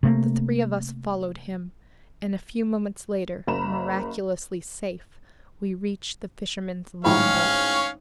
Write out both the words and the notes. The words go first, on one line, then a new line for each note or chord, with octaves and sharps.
The three of us followed him, and a few moments later, miraculously safe, we reached the fisherman's longboat.
C3 A3 A#3
F#1 A#4 A#5 B5 E7
G#1 A2 C#4 C#5 F5 B5